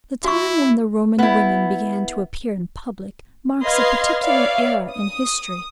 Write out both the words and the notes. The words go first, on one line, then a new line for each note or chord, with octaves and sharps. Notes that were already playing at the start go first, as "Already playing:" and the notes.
The time when the Roman women began to appear in public, marks a particular era in history.
E4 F#4 C#6
B3 E4
B4 D#5 F5 C6 F6 G#6
B4 C#5 D5 E5 F5
D#6